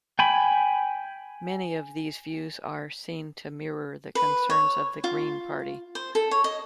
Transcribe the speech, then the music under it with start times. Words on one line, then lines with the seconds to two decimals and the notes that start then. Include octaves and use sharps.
Many of these views are seen to mirror the concerns of the Green party.
0.19 G5 G#5 B5
4.15 B4
4.50 C#5
5.04 F4
5.95 C5
6.15 A4
6.31 C#5
6.44 D#5